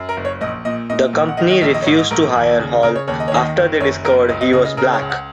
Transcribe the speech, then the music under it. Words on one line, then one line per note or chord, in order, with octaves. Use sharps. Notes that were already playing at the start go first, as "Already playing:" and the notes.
The company refused to hire Hall after they discovered he was black.
Already playing: F#2
A#4
F#1
C#5
A#1 D#5
A#2 D#5
A#2 D#5
A#1
F#5
D#3 D#5
D#5
A#1 D#5
D#5
C#5
G#2 D#5
D#5
A#1 A#4
D#2
C#3
C#3 A#4
C#5
D#2 C#5
D#5
C#5
D#3 D#5
F#1
F#2 C#5
F#1 A#4
C#2 D#5
D#5
C#3 D#5
D#5
C#3 A#4
C#5
C#2
F#5